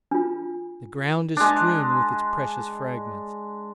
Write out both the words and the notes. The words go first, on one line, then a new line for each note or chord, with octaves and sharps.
The ground is strewn with its precious fragments.
D4 F4
G#3 D4